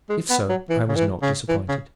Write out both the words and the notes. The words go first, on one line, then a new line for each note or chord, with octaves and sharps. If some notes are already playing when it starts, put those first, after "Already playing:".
If so, I was not disappointed.
G#3
B3
F#3
E3
C#3
E3
C#3
E3
C#3